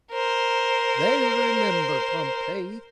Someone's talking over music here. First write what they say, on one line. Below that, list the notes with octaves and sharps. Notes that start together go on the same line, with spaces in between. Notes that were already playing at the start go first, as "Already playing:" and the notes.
They remember Pompeii.
A#4 C5